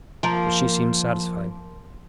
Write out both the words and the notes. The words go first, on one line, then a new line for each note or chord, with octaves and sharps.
But she seemed satisfied.
F3 A#3 A#4